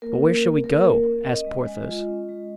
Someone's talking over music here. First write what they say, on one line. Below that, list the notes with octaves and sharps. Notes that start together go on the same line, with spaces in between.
"But where shall we go?" asked Porthos.
A#3 A#4
C#4
A#3
A#3 A#4
A#3
C#4
C#4 D#5
G#3
G#3
F4
C#4
G#3